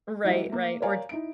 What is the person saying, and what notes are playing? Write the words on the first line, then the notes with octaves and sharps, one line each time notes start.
Right, right. Or, th
E3 F#3 G3 A3 E4 D#5
A3 A#3
A#4 C#5 D5 F5 G#5 A#5
D#4 E4 D7